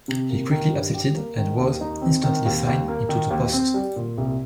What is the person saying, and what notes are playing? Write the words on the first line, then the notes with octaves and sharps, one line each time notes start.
He quickly accepted, and was instantly signed into the post.
C3
A#3
D#3
G2
G4
A#3
D#3
D#2
D#4
C4
D#3
D#2
D#2
A#3
D#3
D#2
C4
G3
A#2
C2